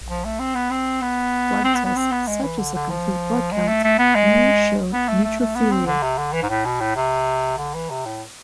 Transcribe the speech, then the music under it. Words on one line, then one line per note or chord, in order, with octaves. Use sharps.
Blood tests such as a complete blood count may show neutrophilia.
F3
A3
C4
B3
C4
B3
C4
B3
B3
C4
B3
G#3
E3
D3
D3
F3
G#3
A3
A3
B3
G#3
B3
A3
A3
A3
B3
C4
D3
C3
D3
E3
G#2
A2
B2
A2
C3
D3
E3
C3
A2